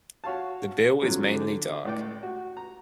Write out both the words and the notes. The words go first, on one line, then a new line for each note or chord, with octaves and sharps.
The bill is mainly dark.
F#4 C#5 F5 A5
B2 D3 F3 F#3 C#4
D3
C#2 A2 D5 G5
F#4
A#5